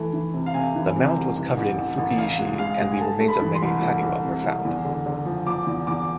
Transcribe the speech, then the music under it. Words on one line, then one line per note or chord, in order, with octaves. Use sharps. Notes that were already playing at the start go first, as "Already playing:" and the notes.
The mound was covered in "fukiishi" and the remains of many "haniwa" were found.
Already playing: E3 A3
E3
C3
F5
C3 G#5
E3
C3
C2
A1
A1
A1
A1
A1 F5
G#3
G#3 F5
G#3
G#5
A3 A5
A3
B5
E3
C6
C2
C2
C2
C3
C2
E2
D3
D3
F3
F3 D6
E2
E2 D6